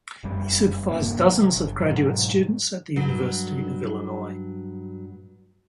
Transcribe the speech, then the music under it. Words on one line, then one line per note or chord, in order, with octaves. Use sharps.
He supervised dozens of graduate students at the University of Illinois.
F1 F#2 G3
E1 G2 C3 A#3
C3 F#3
G1
G#2 B2 F#3
G2 F#3